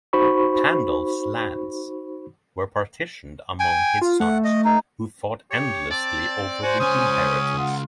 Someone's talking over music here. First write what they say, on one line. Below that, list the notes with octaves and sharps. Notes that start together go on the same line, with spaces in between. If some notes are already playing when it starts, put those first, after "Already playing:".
Pandulf's lands were partitioned among his sons, who fought endlessly over the inheritance.
D#4 F#4 C5 B5 C#6
G5 G#5
F4
A3 F#5
D#5
D#4
G4 C#5
C4 D5 A5
F#4 C5 G#5
C#2 C#4 G#5 D#6
F4 F#5